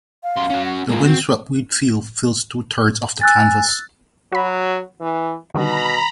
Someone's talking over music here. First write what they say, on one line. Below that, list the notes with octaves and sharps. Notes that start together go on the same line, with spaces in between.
The windswept wheat field fills two-thirds of the canvas.
F5
F#2 C6
C#4 F#4
F#5
G#3 A#3 F4
C4 F#4
G#5 E6 F#6 A6
F#3 F#4 B5
E3
B2 D3 D#3 G3 A#5 B5